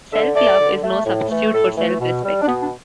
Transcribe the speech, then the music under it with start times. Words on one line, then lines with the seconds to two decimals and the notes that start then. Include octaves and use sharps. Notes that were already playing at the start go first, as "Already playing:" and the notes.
Self-love is no substitute for self-respect.
0.11 D3 E5
0.35 A3 D5
0.59 D3
0.82 A3
1.05 A2
1.29 E3 A3
1.53 A2 A4
1.76 E3 A3
2.00 B2
2.24 G3
2.42 D4
2.46 B2 B3
2.62 D4